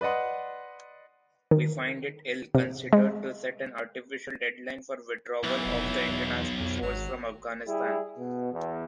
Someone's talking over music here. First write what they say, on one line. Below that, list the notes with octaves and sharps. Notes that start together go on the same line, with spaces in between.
We find it ill-considered to set an artificial deadline for withdrawal of the international force from Afghanistan.
B4 D5 D#5 F#5 C6
D#3
C3
G#3
B1 E3
F1
E2
F2
G#1 F#3
G3 E4 G#4
B2
E2